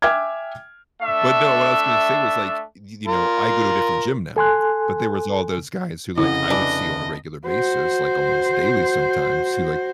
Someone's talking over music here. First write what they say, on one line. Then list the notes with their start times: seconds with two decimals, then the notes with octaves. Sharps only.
But no, what I was gonna say was, like, y y you know, I go to a different gym now, but there was all those guys who, like, I would see on a regular basis, like, almost daily sometimes who, like,
0.02 E5 G5 G#5 D6 F6 G#6
1.02 A3 D4 E5
3.07 F4 A#4
4.37 A4 G#5 C6 F#6
6.18 F1 C#3 E4 D#5 F#5
6.50 E3 D4
7.47 F#4 C5